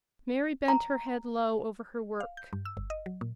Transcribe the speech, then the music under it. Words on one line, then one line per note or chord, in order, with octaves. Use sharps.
Mary bent her head low over her work.
A#5
F5
G6
G2
E6
G1
D#5
F#3
A#2